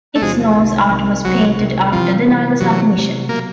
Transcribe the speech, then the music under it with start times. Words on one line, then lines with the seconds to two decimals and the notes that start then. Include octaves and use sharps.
Its nose art was painted after the Nagasaki mission.
0.15 A3
0.22 E2 C3 F3 G#3
0.56 C2 C3 D#3
0.90 C2 C3 D#3
1.25 C2 C3 D#3 F#3
1.58 C2 C3 D#3
1.92 C3 E3 F3 G3 C4
2.27 C3 E3 G3 C4
2.60 C3 E3 F#3 G3 C4
2.95 C3 E3 G3 C4
3.29 B2 F#3 A#3